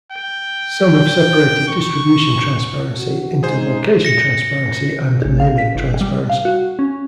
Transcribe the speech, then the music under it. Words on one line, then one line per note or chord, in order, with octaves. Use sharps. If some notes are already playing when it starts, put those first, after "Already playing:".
Some have separated distribution transparency into location transparency and naming transparency.
G5
C#6
F#4
G#2 G#4 C5
A#6 C#7
A1
F5
B6
G1
G3
F5
F#4
C#4